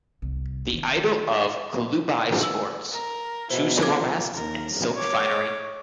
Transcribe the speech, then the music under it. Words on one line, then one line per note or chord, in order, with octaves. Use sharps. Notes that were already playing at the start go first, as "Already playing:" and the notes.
The idol of Kalubai sports two silver masks and silk finery.
C2
D#3
G#5 E6 F#7
A#4
B2 E4 C5
F3 A#3 D6 G#6
D#2 A#4
C#5 D6